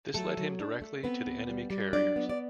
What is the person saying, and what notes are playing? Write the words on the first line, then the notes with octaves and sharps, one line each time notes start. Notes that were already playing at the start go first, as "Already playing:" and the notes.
This led him directly to the enemy carriers.
F#3 A3 A4
F#3
D4
A3
B3 C4 B4
D2
G3
G3
F#3 D4 D5
B3
D5